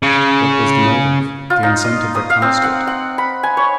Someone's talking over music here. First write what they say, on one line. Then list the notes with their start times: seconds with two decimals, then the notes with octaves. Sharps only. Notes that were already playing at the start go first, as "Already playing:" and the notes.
What was the motive, the incentive that caused it?
0.03 C#3
1.50 F4
1.63 D#4
1.84 D#5
2.15 D#6
2.30 F5
2.42 C4
2.63 F#5
2.87 F#5
3.18 B5
3.43 G#5
3.57 C#5